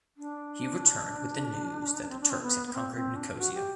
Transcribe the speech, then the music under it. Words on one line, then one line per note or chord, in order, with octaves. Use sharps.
He returned with the news that the Turks had conquered Nicosia.
D4
C4
D4
C4
B3
B3
C4
C4
D4
F#4
G4